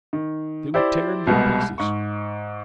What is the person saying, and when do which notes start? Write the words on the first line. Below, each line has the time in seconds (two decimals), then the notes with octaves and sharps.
"They would tear him to pieces."
0.13 D#3
0.74 E4 G4 C5 D5
1.27 C2 B2 G3 G#3
1.78 G#2 C#6